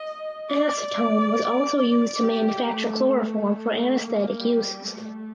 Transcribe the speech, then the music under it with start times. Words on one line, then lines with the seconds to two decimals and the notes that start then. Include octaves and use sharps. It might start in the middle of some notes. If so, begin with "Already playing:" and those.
Acetone was also used to manufacture chloroform for anesthetic uses.
Already playing: D#5
0.49 D5
1.79 D5
2.23 G4
2.66 A3
3.09 A3
3.96 A#3
4.40 G3
4.83 A3